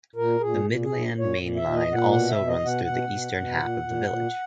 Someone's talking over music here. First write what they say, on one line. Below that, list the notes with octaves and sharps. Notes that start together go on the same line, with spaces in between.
The Midland Main Line also runs through the eastern half of the village.
A#2 A#4
A#2 G#4
A#2
G#4
A#2
A#2
C#5
A#2
E5
A#2
D#5
A#2
F#5
B2 F#5
E5
B2
D#5
B2
F#5
B2 F#5
B2
B2
A#2
A#2
A#2